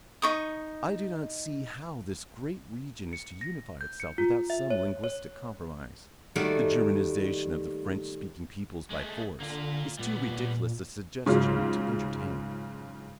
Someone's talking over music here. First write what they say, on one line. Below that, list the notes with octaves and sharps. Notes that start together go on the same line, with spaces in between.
I do not see how this great region is to unify itself without some linguistic compromise--the Germanization of the French-speaking peoples by force is too ridiculous a suggestion to entertain.
D#4 C#6 D#6
C#7
A#6
G6
C#7
F4
E5
C#5
C#5
D#3 G3 A3 A#3 F#4 D5
G#3 A3
D3 A#3 F4
A#2 G3 B3
G#2 C#3 F#3 F4